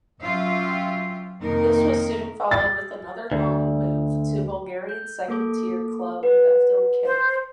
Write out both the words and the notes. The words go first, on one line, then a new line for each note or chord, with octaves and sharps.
This was soon followed with another loan move to Bulgarian second tier club Neftochimic.
F#3 C#4 F4 G4 E5 F5
F2 C3 D#3 A#3 D#4 A#4
A6
D2
G6
A#3 A4 D6
B4 F#5
C5